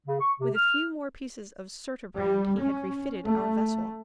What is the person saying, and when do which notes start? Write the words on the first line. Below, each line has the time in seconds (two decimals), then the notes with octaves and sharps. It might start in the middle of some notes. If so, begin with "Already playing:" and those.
With a few more pieces of surturbrand he had refitted our vessel.
0.06 C#3
0.20 C#6
0.40 C3
0.55 F6
2.17 G3
2.61 C#4
3.25 A3